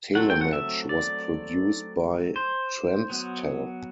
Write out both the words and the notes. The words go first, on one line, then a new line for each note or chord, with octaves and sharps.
Telematch was produced by Transtel.
F#3 A3 C4 F#5
G5
F#5
E5
D5
C5
F#3 B3